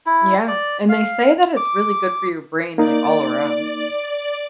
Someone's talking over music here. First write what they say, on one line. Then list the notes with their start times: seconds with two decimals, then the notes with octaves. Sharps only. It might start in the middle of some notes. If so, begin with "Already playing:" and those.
Yeah, and they say that it's really good for your brain, like, all around.
0.06 E4
0.48 D5
0.89 F5
1.57 D6
2.78 A#3 D#4 D5